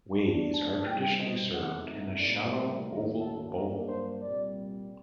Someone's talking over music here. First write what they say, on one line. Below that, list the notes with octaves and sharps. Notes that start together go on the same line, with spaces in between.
"Ways" are traditionally served in a shallow oval bowl.
F#2 D3 A3 D4
A5
A#2 G3 C4 D#4 G5
D#5
C3 F#3 A3 D#4 F#5
A2 G3 A#3 D#4 D5
C5
D#2 D3 F#3 A#3 A#4
A4
G2 F#3 A#3 D4 A#4
C5
C2 A#2 G3 D5